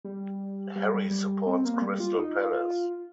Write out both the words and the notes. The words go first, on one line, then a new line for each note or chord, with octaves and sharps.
Harry supports Crystal Palace.
G3
G3
G3
G3
C4
A#3
G3
F4
D#4
F4
F4